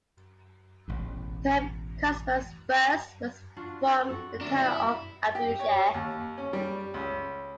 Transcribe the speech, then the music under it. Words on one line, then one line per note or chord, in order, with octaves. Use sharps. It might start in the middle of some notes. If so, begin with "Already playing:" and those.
Pope Cosmas I was from the town of Abu-Sair.
E1 A1 E2
D4 F4 F#4
C4 F#4 A4
D2 D4 A#4 E5
B2 G3 E4 E5
G4
C#5
D#2
C#4
G3
C#2